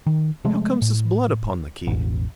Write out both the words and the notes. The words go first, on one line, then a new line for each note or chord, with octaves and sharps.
"How comes this blood upon the key?"
D#3
C3 F3 G#3 A3
A2
E1 A1